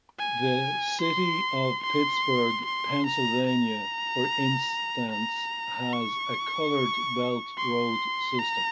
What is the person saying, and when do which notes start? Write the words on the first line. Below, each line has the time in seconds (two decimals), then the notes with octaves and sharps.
The city of Pittsburgh, Pennsylvania, for instance, has a colored belt road system.
0.19 G#5
1.01 C6
1.83 C6
2.65 C6
3.06 A#5
3.46 A#5
5.11 A#5
5.93 C#6
7.57 C6
8.39 A#5